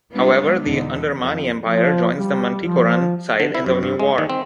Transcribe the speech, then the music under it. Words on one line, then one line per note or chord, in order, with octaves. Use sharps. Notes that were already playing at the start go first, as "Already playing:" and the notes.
However, the Andermani Empire joins the Manticoran side in the new war.
G3 G#3 B3 D4 F4
E2 B2 D3 D#4
F2
F3
G3
F3
D3
E4
F#2
G2
G#3
D#3
C4